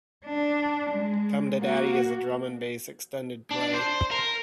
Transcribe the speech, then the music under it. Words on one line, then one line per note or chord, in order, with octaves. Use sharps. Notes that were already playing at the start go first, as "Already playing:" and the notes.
"Come to Daddy" is a drum and bass extended play.
D4
G#3
A#3 F#4
D4
C5
A#4